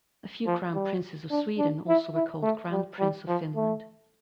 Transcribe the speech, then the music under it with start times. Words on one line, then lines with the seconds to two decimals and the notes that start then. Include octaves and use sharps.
A few crown princes of Sweden also were called "Grand Prince of Finland".
0.46 F3
0.75 G3
1.31 D4
1.59 D4
1.88 E4
2.15 E4
2.43 A3
2.72 G3
2.99 G3
3.28 F3
3.56 A3